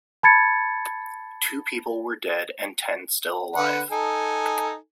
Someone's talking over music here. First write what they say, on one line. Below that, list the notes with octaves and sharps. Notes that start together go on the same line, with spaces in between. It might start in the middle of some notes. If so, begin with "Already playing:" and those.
Two people were dead and ten still alive.
A5 B5 G#6 A6 C#7
D3 B4 F#5
D#4 A4 G#5